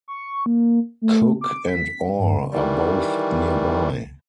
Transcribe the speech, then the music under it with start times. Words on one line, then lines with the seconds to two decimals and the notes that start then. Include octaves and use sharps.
Cook and Orr are both nearby.
0.08 C#6
0.46 A#3
1.02 A3
1.41 D6
1.68 B6
2.19 G2
2.52 D#3 E3 G3